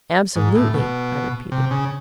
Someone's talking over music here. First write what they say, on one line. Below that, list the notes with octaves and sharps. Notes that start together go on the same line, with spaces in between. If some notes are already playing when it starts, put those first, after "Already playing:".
"Absolutely!" I repeated.
G#2
A2
B2
C3
C#3